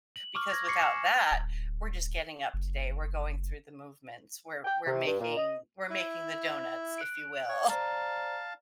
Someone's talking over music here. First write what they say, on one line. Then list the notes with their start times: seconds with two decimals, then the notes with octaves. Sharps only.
because without that, we're just getting up today, we're going through the movements, we're we're making we're making the donuts if you will.
0.16 F#7
0.35 C#6 D6 F6
0.52 G#6 A#6
0.67 C#6 D6 G#6 C7 C#7
0.81 G#5 E7
1.31 D1
2.54 F#1
4.65 G5
4.86 C3
5.06 G2
5.19 A#2
5.36 D#5
5.90 E4
6.98 F#6 D7
7.49 C#5
7.69 C5 D5 F5 A5 A#5